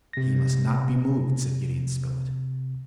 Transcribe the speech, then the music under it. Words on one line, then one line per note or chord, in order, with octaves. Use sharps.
"He must not be moved." said Gideon Spilett.
C3 A#6